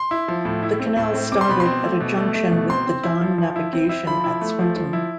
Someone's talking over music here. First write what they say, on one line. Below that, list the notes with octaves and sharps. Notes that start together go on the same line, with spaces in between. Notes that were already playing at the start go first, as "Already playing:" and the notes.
The canal started at a junction with the Don Navigation at Swinton.
Already playing: C6
E4
F3
A2
E4
C4
A2
C4
C4 D6
C6
B2 B5
C6
C4
A3
B2
A3
A3
B2
C4 C6
C4
E4
F3
F3
E4
C4
E4
F3 B5
E4
A3
F3
F3
E4